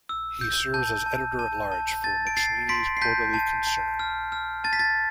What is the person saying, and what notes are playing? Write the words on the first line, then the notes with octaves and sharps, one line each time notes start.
He serves as editor-at-large for "McSweeney's Quarterly Concern".
E6
G6
A5 G6
A5
A5
A5
A5 A6
D7
A5 A6 C7
C6 B6 D7
C7
A5 G6 B6
A5
A5
F6
F6
A5 A6
B6
A6